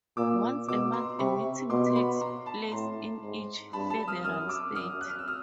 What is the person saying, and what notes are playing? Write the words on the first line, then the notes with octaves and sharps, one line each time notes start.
Once a month a meeting takes place in each federal state.
A#2 D6 E6
B2 D6 E6
A#5 C6
C3 B5 C#6
B2 C6 D6
C6
B5 C#6
A#5 C6
A5 B5
A2 A#5 C6
G#2
G2 A5 B5
A5 B5
D#6 F6
F#2 D#6 F6
D6 E6
F#2 D#6 F6
F#6
F6
E6
D#6 F6